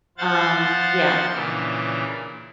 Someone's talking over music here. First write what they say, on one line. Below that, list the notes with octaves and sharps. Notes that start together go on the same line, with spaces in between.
Um, yeah
F3 C5 F5 F#5 A6
A#2 C#3 E3 D4